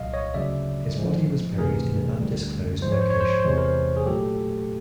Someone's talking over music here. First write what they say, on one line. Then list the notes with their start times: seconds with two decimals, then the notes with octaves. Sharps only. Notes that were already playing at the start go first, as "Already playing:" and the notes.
His body was buried in an undisclosed location.
Already playing: C2 A#2 F#3 D#5 F5
0.13 C#5 D#5
0.34 D2 C#3 F#3 D5 E5
0.96 A2 F3 G#3
1.58 D2 C3 E3 A3 G#4 A#4
2.20 D2 D3 G3
2.82 G#2 F3 G#3 C5
2.92 C#5
3.01 C5
3.10 C#5
3.20 C5
3.30 C#5
3.40 C5
3.44 E2 C3 E3 G#3 C#5
3.58 A#4 C5
3.97 G#4
4.06 A#2 F#3 A3 G4 A4